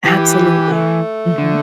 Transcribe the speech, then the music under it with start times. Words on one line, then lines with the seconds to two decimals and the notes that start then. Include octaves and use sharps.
Absolutely. Mhm.
0.05 E3 G4
0.72 A3
1.38 D3